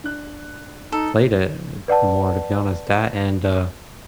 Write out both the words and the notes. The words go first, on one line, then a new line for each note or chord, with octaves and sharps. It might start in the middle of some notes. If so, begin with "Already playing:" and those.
played it more, to be honest, that and, uh,
D4 F#6
D#4 A4
B4 D5 F#5 A5